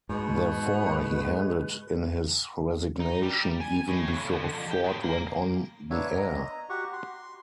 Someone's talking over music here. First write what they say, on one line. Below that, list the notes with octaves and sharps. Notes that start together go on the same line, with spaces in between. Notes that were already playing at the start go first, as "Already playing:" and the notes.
Therefore, he handed in his resignation even before Ford went on the air.
G#2 B2 G#3 G#4 B4 D#5
D#4
G3
G#5
A2
B1
D3
F2
G4
A2
A#3
A#3 B3 D4 C#5 E5
D#5 A#5
F#4 G4 F#5 C#6
C6